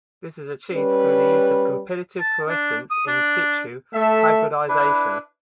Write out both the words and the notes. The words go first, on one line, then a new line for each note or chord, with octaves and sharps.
This is achieved through the use of competitive fluorescence in situ hybridization.
G3 C#4 B4
A5
D4
D#6
D4
A3 A4 E5
D4 E4 B4